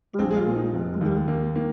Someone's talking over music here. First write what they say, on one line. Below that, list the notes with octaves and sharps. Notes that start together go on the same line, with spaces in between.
Mhm, mhm.
A#1 C4
G#4
F4
A#2 F3
D#4
F1
D#2 D#3
D#2 A#3
D#3 A#3